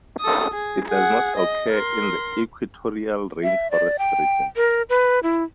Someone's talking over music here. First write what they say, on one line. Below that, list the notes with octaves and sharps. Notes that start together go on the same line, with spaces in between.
It does not occur in the equatorial rainforest region.
A4 D#6
G#4
G#4 F#5
D#5
A#4 C6
E5
D5
G5
A#4
B4
E4